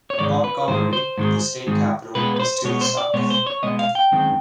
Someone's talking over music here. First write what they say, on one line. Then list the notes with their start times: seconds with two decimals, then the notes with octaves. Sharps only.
Montgomery, the state capital, is to the south.
0.10 C#5
0.19 G#2 D#3 G#3 D5
0.44 B4
0.68 G#2 D#3 G#3 C5
0.93 C5
1.18 G#2 D#3 G#3
1.67 G#2 D#3 G#3
2.15 B2 G#3 B3 B4
2.36 B4
2.40 C5
2.64 B2 G#3 B3 C#5
2.81 C5
2.97 D5
3.14 B2 G#3 B3 C#5
3.30 C5
3.47 C#5
3.63 B2 G#3 B3 D#5
3.79 F5
3.95 G5
4.12 F#2 D#3 G#3 C4